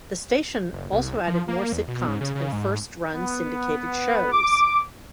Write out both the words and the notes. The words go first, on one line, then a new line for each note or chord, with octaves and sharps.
The station also added more sitcoms and first-run syndicated shows.
F#1
C2
F3
A#3
E2
B2
G#2
C#3
C#3
G#2
B3
D6